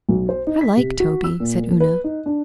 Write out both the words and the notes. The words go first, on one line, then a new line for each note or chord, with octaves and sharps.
'I like Toby,' said Una.
B1
C5
D#4
B6
C3
F#4
E6
A#2
A#3
B4
D#4
D4